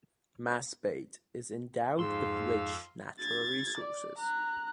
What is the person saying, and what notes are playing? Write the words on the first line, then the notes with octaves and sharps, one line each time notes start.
Masbate is endowed with rich natural resources.
F2 G#2 F5 C6 E6
G#6 A6
D5
A#5 F#6